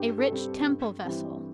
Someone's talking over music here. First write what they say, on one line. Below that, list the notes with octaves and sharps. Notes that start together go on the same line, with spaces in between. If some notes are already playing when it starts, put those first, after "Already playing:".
A rich temple vessel.
Already playing: G2 G4
A4
G3 C4
G2
E3 G3 C4